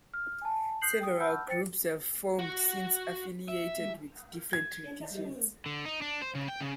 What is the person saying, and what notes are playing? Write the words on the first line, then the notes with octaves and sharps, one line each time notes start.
Several groups have formed since, affiliated with different traditions.
F6
G#5 A5
D#6 F#6 G6 C7 F#7
G5 D#6
F#5 A5 B5 E6 F6 G6
C5 G5 A6 C#7
F#4 F#5
E5
G#6
D3
D#4
D4
C5
C#3
G5
C#3